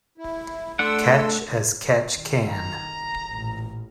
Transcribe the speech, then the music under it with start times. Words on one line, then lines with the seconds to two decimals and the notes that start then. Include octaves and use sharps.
Catch as catch can.
0.18 E4
0.79 A3 D4 A4 F#5 C6 E6
2.15 D#3
2.49 A#5
3.29 A1 A#2